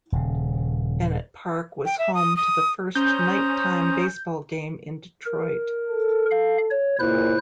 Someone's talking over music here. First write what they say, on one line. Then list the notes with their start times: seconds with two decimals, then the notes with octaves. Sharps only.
Bennett Park was home to the first nighttime baseball game in Detroit.
0.12 D#1 C#3
1.86 G5
1.99 E5
2.15 D#6
2.36 D#6
2.95 C#4 C5 A#5 D#6 G6
5.26 A#4
5.88 A4
6.31 F5
6.71 C#5
7.00 C#2 A#2 E4 C5 F#6